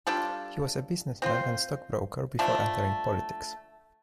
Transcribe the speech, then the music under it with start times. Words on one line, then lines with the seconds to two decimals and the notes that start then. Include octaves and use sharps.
He was a businessman and stockbroker before entering politics.
0.07 G3 D4 F4 A4
1.22 C4 F4 C5
2.39 D3 F3 A3 D4